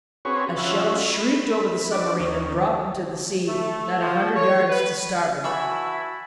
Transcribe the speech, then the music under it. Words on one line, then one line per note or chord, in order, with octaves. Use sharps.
A shell shrieked over the submarine and dropped into the sea not a hundred yards to starboard.
C4 C#4 F#4 G#4 B4 C#5
F3 C#4 F#4 E5
B5
D4 F#4 D5
D#2 D#3 C#4
A3
F3
C#5
B4
E3 E4 F#4 A5 B5 C#6 E6